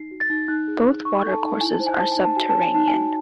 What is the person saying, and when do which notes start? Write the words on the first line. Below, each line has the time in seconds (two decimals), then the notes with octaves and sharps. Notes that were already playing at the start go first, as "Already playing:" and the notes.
Both watercourses are subterranean.
Already playing: D#4 C7
0.11 F#4
0.20 A6
0.30 D#4
0.48 D#4 F#6
0.68 G#4
0.86 D#4
1.05 D#4 C#6
1.23 A4 G#5
1.33 A5
1.43 D#4
1.61 E4 G#5
1.74 A5
1.80 C5
1.87 G#5
1.99 C5 A5
2.12 G#5
2.17 D#4
2.24 A5
2.36 F#4 G#5
2.50 A5
2.55 C#5
2.62 G#5
2.74 D#4 A5
2.88 G#5
2.93 F#4